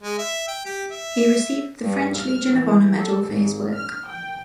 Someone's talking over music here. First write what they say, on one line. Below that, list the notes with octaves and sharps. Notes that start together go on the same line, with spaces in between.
He received the French Legion of Honor medal for his work.
G#3
E5
G5
G4
E5
G2
F6
E3
A4
G#1
F6
G5